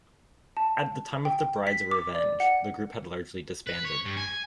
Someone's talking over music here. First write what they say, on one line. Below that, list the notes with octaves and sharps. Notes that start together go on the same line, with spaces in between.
At the time of The Bride's revenge, the group has largely disbanded.
A5
G5
B6
D6
D5
F#5
B4
C#5
G2
G#5